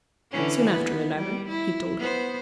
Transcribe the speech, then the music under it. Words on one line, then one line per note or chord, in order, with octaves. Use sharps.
"Soon after eleven," he told her.
D3 E3 C#4
B3
G3
E4
B3 C5